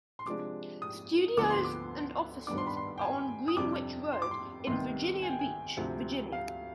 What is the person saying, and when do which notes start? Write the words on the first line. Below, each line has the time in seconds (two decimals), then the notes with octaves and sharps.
Studios and offices are on Greenwich Road in Virginia Beach, Virginia.
0.19 C6
0.26 C3 F3 G#3 D4 D6
0.82 D#6
1.37 D2 D3 F3 B3 D6
1.50 C6
1.65 D6
2.47 G2 D#3 B3 D4 D6
2.58 C6
2.67 B5
2.77 C6
2.98 G5
3.01 G#5
3.48 D#6
3.56 F2 C3 G3 D4 D6
4.12 C6
4.22 D6
4.31 C6
4.67 C2 C3 D#3 B3 C6
5.22 G#5
5.30 G5
5.39 G#5
5.77 D2 C3 F3 C4
6.32 F5